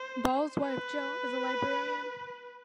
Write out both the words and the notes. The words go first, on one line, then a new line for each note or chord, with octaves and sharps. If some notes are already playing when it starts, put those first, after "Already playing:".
Ball's wife Jill is a librarian.
Already playing: C5
B4